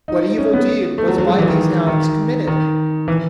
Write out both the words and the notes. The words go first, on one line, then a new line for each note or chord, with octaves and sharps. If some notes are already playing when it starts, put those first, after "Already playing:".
What evil deed Was by these hands committed?
D#4
C#4
B3
A3
F#3
F#3
G#3
E3
D#3
D#3
D#3
E3